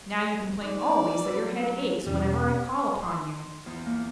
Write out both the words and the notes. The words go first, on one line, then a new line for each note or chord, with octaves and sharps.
Now you complain always that your head aches whenever I call upon you.
G#2 D#3 D#4 D5
F#3 F#4 B4
E2 B2 G3 C#4 G4
C6
E2
A#3